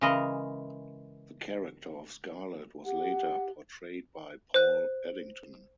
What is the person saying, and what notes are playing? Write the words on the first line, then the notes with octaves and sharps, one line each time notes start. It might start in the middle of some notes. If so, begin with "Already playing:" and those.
The character of Scarlet was later portrayed by Paul Eddington.
C#3 E3 G#3 A#4 D#5
G4 F#5
C5 F#6